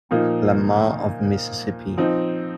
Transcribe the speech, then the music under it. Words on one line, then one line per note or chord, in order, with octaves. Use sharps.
Lamar of Mississippi.
A#2 F3 A#3 D#4
F3 C4 D#4